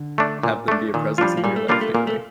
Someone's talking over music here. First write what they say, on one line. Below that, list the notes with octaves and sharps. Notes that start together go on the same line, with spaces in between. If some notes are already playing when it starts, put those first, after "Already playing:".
have them be a presence in your life daily.
Already playing: D3
A3 D4
A#2
A3 D4
A#2 D#3
F3 G3 D4 F4
F3
A#2 G3
A3
G3 A#3 D4 F4
A3
A#2 A#3
A3